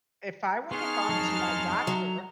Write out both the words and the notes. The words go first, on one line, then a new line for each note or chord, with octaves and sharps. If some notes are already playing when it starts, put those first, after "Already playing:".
if I wouldn't have gone to my doctor,
B3 D#4 G#4 A5 C6 C#6 F6
F2 F#3
F#3 A#5